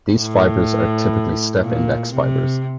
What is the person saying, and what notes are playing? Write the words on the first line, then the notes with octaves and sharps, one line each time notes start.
These fibers are typically step-index fibers.
A2
A#2
C3